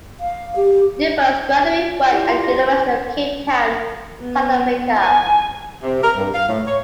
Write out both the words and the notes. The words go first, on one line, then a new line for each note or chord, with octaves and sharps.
He did post-graduate work at the University of Cape Town, South Africa.
F5
G4
E4 F4 G4 D5
C6
A#6
C5 G6
B3
G#5
C3
A#4
G2
F5
A2
C#5